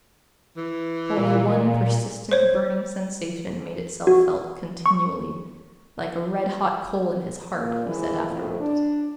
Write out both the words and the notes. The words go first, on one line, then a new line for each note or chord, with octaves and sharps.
Only one persistent burning sensation made itself felt continually, "like a red-hot coal in his heart," he said afterwards.
E3
A#2
C5 C#5
F#4
C#6
A#2
G#2 D#3 E3
F2 A2
D4